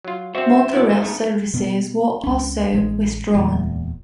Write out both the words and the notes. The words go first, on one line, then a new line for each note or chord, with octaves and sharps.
Motorail services were also withdrawn.
F#3 F4
C4 F#4 C5 E5
C2 B3 E4 F#4 D5
G#1 A4 C5 E5
G#2 A3 B3
B2 B3
C#2 C#4
A1 G#3
D1 E2 A#2 G#3